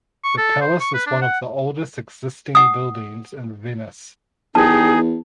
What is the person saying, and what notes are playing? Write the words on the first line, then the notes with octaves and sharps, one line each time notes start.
The palace is one of the oldest existing buildings in Venice.
C#6
A4
C5
C#6
B4
D4
F#5
F#5 D#6
E2 D#4 G4 G#4 A#4 A5